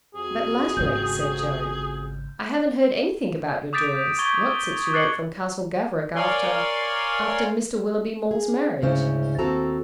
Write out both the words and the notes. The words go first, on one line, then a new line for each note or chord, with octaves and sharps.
'But latterly,' said Joan, 'I haven't heard anything about your doings--not since you wrote from Castle Gaverick after--after Mr Willoughby Maule's marriage?'
F2 F#4 G#4
G#1 C#3 G6
D6 D#6 G6 A6 B6 D7
C#6 G#6 A6 D7 G7
D6 F#6 A6 C7 C#7 F#7
A#4 C#5 D5 F5 G#5 C6
G#4
D2 G#2 C#3 C#4 E4 C5
D#2 C4 F#4 A4 A5 A#5